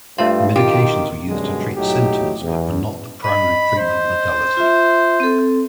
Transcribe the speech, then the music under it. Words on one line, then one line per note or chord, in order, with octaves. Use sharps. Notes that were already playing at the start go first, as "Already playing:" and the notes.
Medications were used to treat symptoms but were not the primary treatment modality.
G2 A3 F4 C5 F5
D#3 F4 G4
F#2 B2 D3 G3 G#3
B1 A2 F#3 D#4 G4
E2
D#5 B5
C5
F4 E5
C4 A4